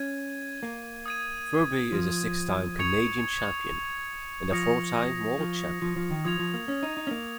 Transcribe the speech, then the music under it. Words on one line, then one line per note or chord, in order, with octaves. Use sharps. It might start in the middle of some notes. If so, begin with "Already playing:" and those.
Ferbey is a six-time Canadian champion and a four-time World Champion.
Already playing: C#4 G#6 D#7
A#3
D#6 G#6 D#7
F3
C#6 G#6 C#7 F7
F3 D#6 A#6 C#7 F7
F3
F3
F3
D#3
F3 D#6 G#6 F7
F3
A#3
C#4
D#4
D#4
C#4
A#3